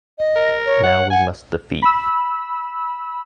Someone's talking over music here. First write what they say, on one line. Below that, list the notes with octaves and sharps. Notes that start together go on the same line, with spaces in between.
Now we must defeat.
D#5
A#4
C#5
F#5
F#5 G#5
B5 E6